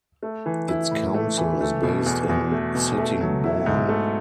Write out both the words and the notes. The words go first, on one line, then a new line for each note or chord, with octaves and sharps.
Its council is based in Sittingbourne.
A3
E3
E4
A2
A3
E3
A3
B2
E2
E2
A3
B2
A3
F#3
E4
G#2
A3